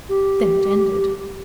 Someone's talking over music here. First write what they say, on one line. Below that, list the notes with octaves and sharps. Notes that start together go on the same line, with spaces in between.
Then it ended.
G4